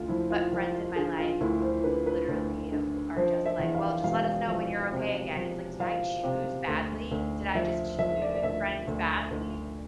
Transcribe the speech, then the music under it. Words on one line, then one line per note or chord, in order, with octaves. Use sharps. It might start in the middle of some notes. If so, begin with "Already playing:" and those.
but friends in my life who literally ha are just like, "Well, just let us know when you're okay again," it's like, "Did I choose badly, did I just choose friends badly?"
Already playing: D2 F4
F3 E4
F4
F3 F4
F4
D3 G#4
F4
D2 E4
C5
D3 B4
B4
D2
D3
F3 C5
E5
E2
F5
E1 F5
F3
C3
F3
F3 F5
C3
D2
D2
F3 E5
F3 E5
D5
D5
D2 E5
D2
D2